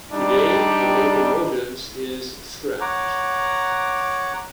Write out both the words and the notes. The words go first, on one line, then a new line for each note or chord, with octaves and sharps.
Today the locomotives is scrapped.
G3 D4 D#4 G4
C#5 F#5 A#5 D6